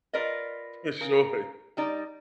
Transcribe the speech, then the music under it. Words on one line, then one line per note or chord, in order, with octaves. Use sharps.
For sure.
F4 A#4 B4 D5 D#5
C#3 A#4
G3 D#4 D5